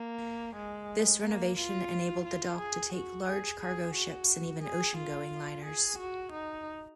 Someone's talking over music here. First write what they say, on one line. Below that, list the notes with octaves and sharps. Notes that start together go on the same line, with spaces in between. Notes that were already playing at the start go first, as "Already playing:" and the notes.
This renovation enabled the dock to take large cargo ships and even ocean-going liners.
Already playing: A#3
G#3
A#3
F4
F4
G#4
F#4
G#4
G#4
F#4
G#4
F4
G#4
F#4
D#4